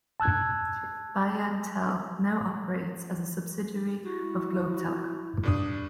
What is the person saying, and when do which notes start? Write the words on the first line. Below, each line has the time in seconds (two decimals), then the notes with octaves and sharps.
BayanTel now operates as a subsidiary of Globe Telecom.
0.20 A5 E6 F#6 G#6
4.03 E4 F#4
5.43 G2 D4 D#6